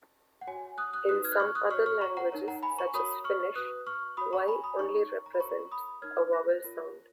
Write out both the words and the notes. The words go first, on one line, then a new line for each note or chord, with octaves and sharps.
In some other languages, such as Finnish, "y" only represents a vowel sound.
F#5
F#4 C#5 G#5
D#6 F#6
D#6 F#6
D#4 F#4 B4 D#6 F#6
F6 G#6
F#6
C#6 F6
D#6 F#6
F#4 C#5 C#6 F6
C#6 F6
A#5 C#6
F#5 A#5
D#4 A#4 C#5
F#5 A#5
G#5 B5
A#5 C#6
F#4 A#4 C#5 B5 D#6
C#6 F6
F#4 B4 D#6 F#6
C#6 F6
F#4 C#5 B5 D#6
A#5 C#6
G#5 B5
B5 D#6
D#4 A#4 C#5 A#5 C#6
A#5
B5
F#4 A#4 C#5 A#5 C#6
B5 D#6
D#4 A#4 C#5 F6 G#6
F#6 A#6
F4 A#4 C#5